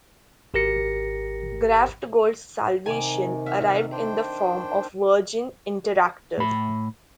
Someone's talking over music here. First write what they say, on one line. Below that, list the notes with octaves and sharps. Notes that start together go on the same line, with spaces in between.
Graftgold's salvation arrived in the form of Virgin Interactive.
G#1 G4 A#4 A#6 C#7
C3 D#3 G#5 D6
E5 F#5 F6
D4 C5 G5
A2 B5